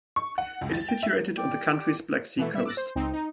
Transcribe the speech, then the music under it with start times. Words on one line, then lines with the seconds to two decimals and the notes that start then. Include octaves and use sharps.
It is situated on the country's Black Sea coast.
0.16 C#6
0.38 F#5
0.61 C#2
0.73 A6
0.89 G5
1.03 E5
1.38 G4 D5 G5
2.37 B2 E3 A3
2.54 G3 E5
2.66 D6 E6 F#6 A6 A#6
2.77 C5
2.96 C#2 C4 D#4
3.13 D#4